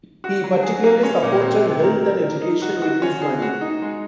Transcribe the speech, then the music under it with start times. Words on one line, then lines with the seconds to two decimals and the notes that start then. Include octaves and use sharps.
He particularly supported health and education with his money.
0.24 F#4
0.44 F#3
0.63 G#4
0.83 A#3
1.03 C#4
1.23 A#2
1.42 C4
1.63 C4
1.82 A#4
2.02 A#4
2.22 A#4
2.42 D#4
2.62 F#4
2.82 F#4
3.02 C#4
3.22 G#4
3.42 F#4
3.61 D#4
3.82 G#3